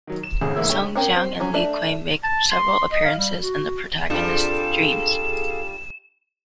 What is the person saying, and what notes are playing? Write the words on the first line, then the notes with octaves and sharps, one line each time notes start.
Song Jiang and Li Kui make several appearances in the protagonist's dreams.
D#3 F#3
E7
G#1 A2 C#3 G#4
A1 G#2 A#3 E4 E6
F#1 G2 A3 G4 C#5
C4 C#4 A#4
C4
F#3 C#4
A3 D4 E5
A5
C6
D#5
F5
G3
F#4
F2 G3 D4 F4 G#4 A4 F5 E7